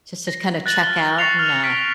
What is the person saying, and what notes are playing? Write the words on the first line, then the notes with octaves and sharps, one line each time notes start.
Just to kind of check out, and, uh
A#6
F#6 A6 A#6 F#7
F6 G7
C#6 A6 A#6 C7 C#7 F7
F6
F6 B6 D7